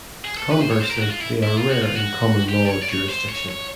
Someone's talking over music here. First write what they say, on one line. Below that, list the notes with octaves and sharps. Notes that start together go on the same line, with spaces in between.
Conversely they are rare in common law jurisdictions.
G#4
A4
B4
C5
C#5
C5
A#4
G4
F#4
F4
E4
E4
F4
F#4
F4
F#4
G4
D5
C#5
D5
C#5
C5
C#5
C#5